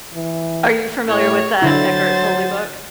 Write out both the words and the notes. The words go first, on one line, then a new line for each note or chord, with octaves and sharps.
are you familiar with that Eckhart Tolle book?
E3
A2 C#5
D3 F#3 E4 C5 A6